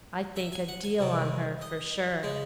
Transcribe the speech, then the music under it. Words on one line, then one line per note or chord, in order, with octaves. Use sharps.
I think a deal on her, for sure.
E5
G#5
F#5
G#5
C2 C3 D#3
D#5
C#3 G#3